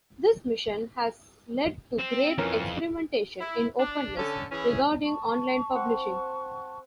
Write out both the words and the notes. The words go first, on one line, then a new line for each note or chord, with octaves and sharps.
This mission has led to great experimentation in openness regarding online publishing.
C4
F2 E3 C#4 A#4
E4
D4
D3 C#4 A4
E3 C#4 E4 G#4
A5 C#6
C4 F#5